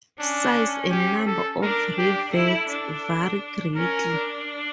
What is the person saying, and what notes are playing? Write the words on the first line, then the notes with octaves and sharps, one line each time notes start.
Size and number of rivets vary greatly.
C#4 D4
G4
A4
D4 A#4
G4
E4 A4
D4
C#4 A#4
D4